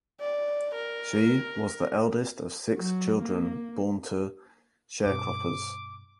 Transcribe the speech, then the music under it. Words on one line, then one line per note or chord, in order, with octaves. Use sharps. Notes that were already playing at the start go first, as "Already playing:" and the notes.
She was the eldest of six children born to sharecroppers.
D5
A#4
F#3
A#3
G2 B2 D6